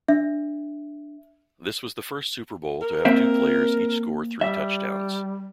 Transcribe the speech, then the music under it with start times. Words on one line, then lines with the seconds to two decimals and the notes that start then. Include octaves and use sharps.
This was the first Super Bowl to have two players each score three touchdowns.
0.08 D4 E5
2.82 A#4
3.05 A#3 C4 E5
4.41 G3 E5